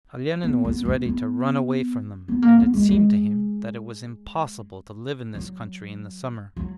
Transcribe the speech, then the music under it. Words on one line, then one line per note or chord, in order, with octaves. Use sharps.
Olenin was ready to run away from them and it seemed to him that it was impossible to live in this country in the summer.
B3
B3
B3
B3
B3
A#3
B3
G#3
G#3
F#3
F#3